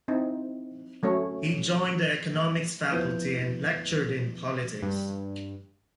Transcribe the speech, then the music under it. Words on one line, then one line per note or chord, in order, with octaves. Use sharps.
He joined the economics faculty and lectured in politics.
C4 D#4 E4
F#3 A3 C#4 C#5
E2 F3 B3 E4 B4 G6
G2